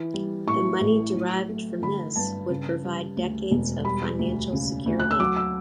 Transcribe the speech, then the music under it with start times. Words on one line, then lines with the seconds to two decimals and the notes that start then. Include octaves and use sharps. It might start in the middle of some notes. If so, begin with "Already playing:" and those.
The money derived from this would provide decades of financial security.
Already playing: E3
0.14 G3
0.47 A2 C#6
0.80 A1
1.15 F#3
1.49 A3
1.82 D3 B5
2.16 G2 A5
2.50 C#3
2.84 G3
3.17 D2
3.51 E1
3.85 G3 B5
4.19 D2
4.52 C#3
4.86 D2
5.00 F#6
5.11 E6
5.20 F#3 D6
5.37 E6